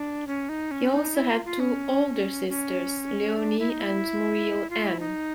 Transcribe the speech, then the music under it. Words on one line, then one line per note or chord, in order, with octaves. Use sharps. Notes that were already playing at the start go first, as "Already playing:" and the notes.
He also had two older sisters, Leonie and Muriel Ann.
Already playing: D4
C#4
D#4
C#4
D#4
E4
F4
F4
C#4
C#4
D4
E4
D#4
E4
F4
E4
D#4